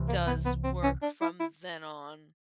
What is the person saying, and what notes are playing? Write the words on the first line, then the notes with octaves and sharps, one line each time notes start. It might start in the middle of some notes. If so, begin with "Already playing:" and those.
does work from then on
Already playing: C2 C3 E3
A#3
B3
B3
C4
C#4
D4
E4
E4